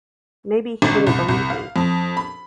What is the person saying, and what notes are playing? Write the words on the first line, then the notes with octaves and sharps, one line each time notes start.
Maybe he didn't believe me.
G#1
C#3
C2
C2
F5
F2
B5